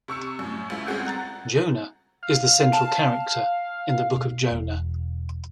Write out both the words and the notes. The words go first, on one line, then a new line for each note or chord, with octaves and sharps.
Jonah is the central character in the Book of Jonah.
C3 C#6 E6 C#7
F#2 A2
C#2 E4
C#2 G2 C4 G#4 F#5 G6
F#5 A#5 A6
F5
A5
B2
E1